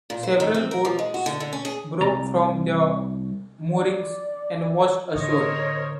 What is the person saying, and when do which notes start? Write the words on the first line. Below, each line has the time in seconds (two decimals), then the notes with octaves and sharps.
Several boats broke from their moorings and washed ashore.
0.10 A#2
0.23 C5
0.40 D#3
0.54 C4
0.71 A#4
0.85 F3
0.99 G#3
1.14 F#4
1.26 D3
1.40 D3
1.53 C#4
1.65 G#4
2.01 C2 D5 A#5
3.70 D5
5.15 A2 D3 A#4 C5 C#5 D#5